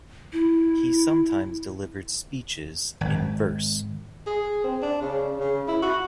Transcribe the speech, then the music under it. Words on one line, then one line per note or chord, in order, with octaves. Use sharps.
He sometimes delivered speeches in verse.
E4
G#1
G#4
C4
D4
C#3
C#3
E4
F#4